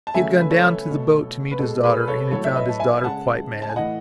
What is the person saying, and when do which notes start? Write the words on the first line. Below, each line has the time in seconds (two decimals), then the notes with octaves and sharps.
He had gone down to the boat to meet his daughter, and had found his daughter quite mad.
0.07 A5
0.14 C#3 F#3 A3 E5 G#5
0.40 B4
0.50 A4 C#5
0.87 B2 A3
1.51 B4
1.59 B2 G#3 A4
1.83 G#4 B4
2.07 A4 C#5
2.31 A2 F#3 A3 A4 C#5
2.45 E5
2.55 B4 D#5
2.69 A5
2.79 E5 G#5
3.03 C#3 G#3 F#5 A5
3.62 A5
3.69 G#5
3.76 A2 E3 A3 D#5 F#5